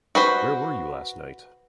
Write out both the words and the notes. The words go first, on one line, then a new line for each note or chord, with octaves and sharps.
Where were you last night?
F#4 B4 C5